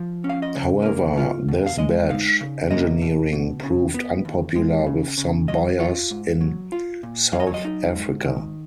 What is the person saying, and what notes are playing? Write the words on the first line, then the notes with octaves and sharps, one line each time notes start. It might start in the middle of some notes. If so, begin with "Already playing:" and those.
However, this badge engineering proved unpopular with some buyers in South Africa.
Already playing: F3
C#4
F5
D#5
C#3 C#5
B4
A#3 A#4
F4
B2
F5
G#3 D#5
D#4 F5
C#3
A#3 D#5
B2
B2
C#3
B3
D#2
G#3
C#3
C#3
F#3 D#5
F4 C#5
G#2
F#3
F4
A#2
F#3 F5
D#5
C#5
D#5
D#4
G#2
D#3